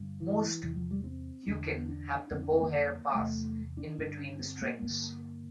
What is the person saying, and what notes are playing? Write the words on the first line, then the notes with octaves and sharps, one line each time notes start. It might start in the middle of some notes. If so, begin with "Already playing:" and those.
Most huqin have the bow hair pass in between the strings.
Already playing: G2 D3
E3
E2 C3 E3
F3
G3
C4
E2 D3 D4
D4
F2 D3 C4
D4
C4
A#3
E2 C3 A3
D4
G2 D3 D4
C4
A#3
G2 D3 A#3